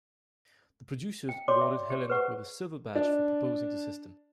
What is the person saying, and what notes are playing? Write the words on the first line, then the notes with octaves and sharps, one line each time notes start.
The producers awarded Helen with a Silver badge for proposing the system.
G5
F#4 C#5 D5 C6 D6
E5
G4
G#4 B4 C5 F#5 C#6
D4